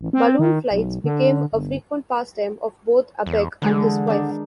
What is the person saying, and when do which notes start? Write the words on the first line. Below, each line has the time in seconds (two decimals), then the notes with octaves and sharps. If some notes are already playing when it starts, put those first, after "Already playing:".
Balloon flights became a frequent pastime of both Abegg and his wife.
0.01 A1
0.13 C4
0.39 D#3
0.71 B1
1.04 D3
1.53 G1
3.26 E2
3.62 D3 E3 G#3 G#4
4.07 D#3 D4